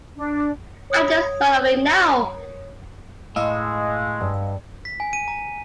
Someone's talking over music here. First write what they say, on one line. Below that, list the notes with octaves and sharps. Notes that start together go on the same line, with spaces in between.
I’ve just thought of it now.
D4
C#5 D#6 G#6
A2 G#3 D#5 F5 E6
G2
B6
G#5
D#7
A#5